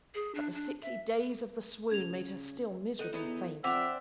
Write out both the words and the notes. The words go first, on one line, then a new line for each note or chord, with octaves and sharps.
But the sickly daze of the swoon made her still miserably faint.
G#4
D4
D4
E5
C#3 G#6 F7
D#4 A4 F#5
E2 B3 D#4 E4
F2 C4 D4 E5 F#5 D6 F7